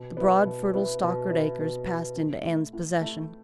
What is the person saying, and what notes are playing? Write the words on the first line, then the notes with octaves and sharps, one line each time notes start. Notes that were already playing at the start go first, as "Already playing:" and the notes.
The broad, fertile Stockard acres passed into Anne's possession.
Already playing: B2
B3 E4
B2
B3 E4
B2
B3 E4
B2
B3 E4
A2
A3 E4
A2
A3 E4